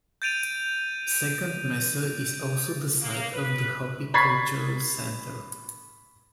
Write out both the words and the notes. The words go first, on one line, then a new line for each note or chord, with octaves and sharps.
Second Mesa is also the site of the Hopi Cultural Center.
G6 A6 D7 D#7 F7
A#3
B4
B5 C#6 G#6 A6 B6 C7